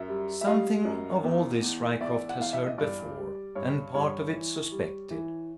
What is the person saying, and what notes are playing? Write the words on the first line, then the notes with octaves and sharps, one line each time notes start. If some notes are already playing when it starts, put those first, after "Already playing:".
Something of all this Ryecroft has heard before, and part of it suspected.
Already playing: F#2 E5
G3
E5
G3 D#5 F5
F#2
E2
E2
E2 D5 E5
F#5
E2 F5
E5
D#5
G2 D5
G3
G2 C#5
G2 C#5
E3
G3
E3